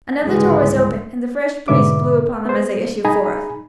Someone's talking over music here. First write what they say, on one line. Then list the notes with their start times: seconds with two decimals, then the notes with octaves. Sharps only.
Another door was opened, and the fresh breeze blew upon them as they issued forth.
0.24 C#2 G#2 D3 E3 G3 G#3
1.68 G#2 B2 D3 B4 E5 D6
2.45 B3 C5
3.05 D#4 G#4 G#5 A#5 B5